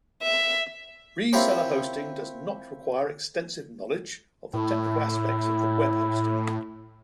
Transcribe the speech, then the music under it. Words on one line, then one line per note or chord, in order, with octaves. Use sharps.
Reseller hosting does not require extensive knowledge of the technical aspects of web hosting.
E5
C4 E4 F4 G4 A#4 C#5
A2 E4